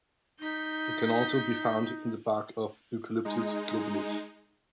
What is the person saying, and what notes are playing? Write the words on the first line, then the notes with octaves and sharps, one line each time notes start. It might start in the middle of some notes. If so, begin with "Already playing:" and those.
It can also be found in the bark of "Eucalyptus globulus".
D#4 G6 B6
G#3 D#4